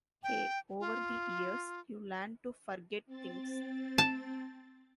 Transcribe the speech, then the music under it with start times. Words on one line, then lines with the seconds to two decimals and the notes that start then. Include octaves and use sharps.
Hey, over the years, you learn to forget things.
0.23 G5
0.80 F4
3.06 C4 A6
3.98 A5